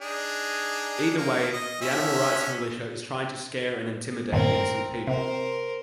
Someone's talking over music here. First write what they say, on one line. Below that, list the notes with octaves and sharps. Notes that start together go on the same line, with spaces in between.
Either way, the Animal Rights Militia is trying to scare and intimidate innocent people.
D4 D#4 G#4
A#3
D#5
D3 C#4 E5
G2 A#2 D#3 C4 A#4
C3 A#4 C5